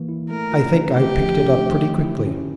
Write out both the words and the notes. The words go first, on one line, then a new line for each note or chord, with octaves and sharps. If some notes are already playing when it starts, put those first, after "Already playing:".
'I think I picked it up pretty quickly.
Already playing: E3 A#3
E4
A3 A#4
F4
C#4
A3 G4
F3
D4
A3
D3
E4
C#4